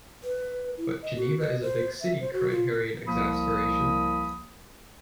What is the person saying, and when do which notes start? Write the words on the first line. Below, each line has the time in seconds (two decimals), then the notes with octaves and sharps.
"But Geneva is a big city" cried Harry in exasperation.
0.23 B4
0.78 E4
1.02 D#5
1.16 F#4
1.40 D#5
1.62 C5
2.01 E5
2.20 C5
2.33 F#4
2.51 F4
3.06 C2 F3 A#3 B5 D#6